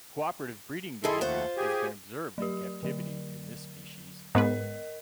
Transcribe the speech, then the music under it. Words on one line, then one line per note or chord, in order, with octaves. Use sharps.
Cooperative breeding behavior has been observed in captivity in this species.
D#3 E4 G#4 A4 C6
D#2 A3 F4 C5 F#5
G4 G#4 G#5
F#3 G4
D3 F#3
G#2 B3 A#4 B4 D#5